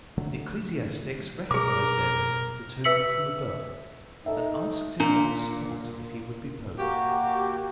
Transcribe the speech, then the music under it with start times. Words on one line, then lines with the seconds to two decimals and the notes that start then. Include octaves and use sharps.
The ecclesiastics recognized therein the token from above, and asked him on the spot if he would be pope.
0.18 D3 F#3 A3
1.51 B2 G#4 A#4 D6
2.84 B4 E5 E6 B6 C#7 F#7
4.26 D#4 A4 E5
5.00 A#2 D4 A#5
6.79 A#3 F#4 G4